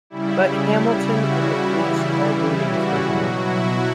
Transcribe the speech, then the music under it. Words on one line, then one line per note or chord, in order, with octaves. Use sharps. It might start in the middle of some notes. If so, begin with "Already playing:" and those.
But Hamilton and the police are waiting for him.
C#3 G3 E4
F#4
C#3 E3 G3 E4
E4
F#4
B2 F#3 F#4
E4